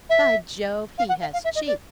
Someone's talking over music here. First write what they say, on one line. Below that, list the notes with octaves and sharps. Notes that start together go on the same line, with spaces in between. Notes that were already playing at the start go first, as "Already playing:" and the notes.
By Jove, he has cheek!
E5
F5
F#5
F5
F5
E5
D#5
D5